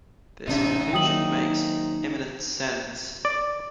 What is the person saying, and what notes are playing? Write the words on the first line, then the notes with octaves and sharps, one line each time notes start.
This conclusion makes eminent sense.
A1 G#2 C3 C#4 D#4 E5
D#3 F#3 A#3 G5 D#6 F#7
D5